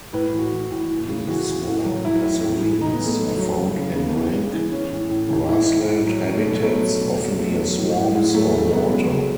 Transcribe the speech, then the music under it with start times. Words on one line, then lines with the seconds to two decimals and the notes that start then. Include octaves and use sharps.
These small passerines are found in rank grassland habitats, often near swamps or water.
0.13 A2 B4
0.32 E3
0.39 F#4
0.52 E3
0.71 A2
0.90 E3
1.09 C#3
1.27 E3 F#4
1.47 E3
1.66 A2
1.85 F#3
2.05 F#3 E4
2.24 A2
2.43 A2
2.62 E3
2.81 E3 D#4
2.93 B3
2.99 E3
3.06 A3
3.19 F#3
3.38 F#3
3.58 C#3
3.77 C#3
3.95 C#3 B3
4.15 E3
4.34 C#3
4.53 E3
4.72 E3 C#4
4.91 A2
5.10 A2
5.29 E3
5.49 A2 E4
5.67 A2
5.86 A2
6.06 F#3
6.24 F#3 C#4
6.38 A3
6.44 B2
6.50 B3
6.62 F#3 A3
6.81 F#3
7.01 B2
7.20 F#3
7.39 F#3 A3
7.59 F#3
7.77 A2
7.97 A2
8.15 A2 G#3
8.34 F#3 A3
8.53 C#3 A3
8.73 F#3 B3
8.91 C#3 G#3
9.10 F#3